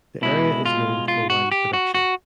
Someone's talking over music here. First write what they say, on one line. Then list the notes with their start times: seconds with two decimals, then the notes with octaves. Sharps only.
The area is also known for wine production.
0.22 B2 G#3 E4
0.66 F4
1.08 F4
1.30 F#4
1.52 G4
1.73 F#4
1.94 F#4